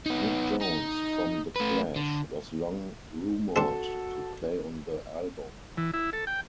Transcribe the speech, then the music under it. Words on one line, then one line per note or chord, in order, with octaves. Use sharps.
Mick Jones from The Clash was long rumored to play on the album.
B3 D#4
D#4
A3 B4
D3
C4 D4 F#4 A4
E3
E4
A4
G5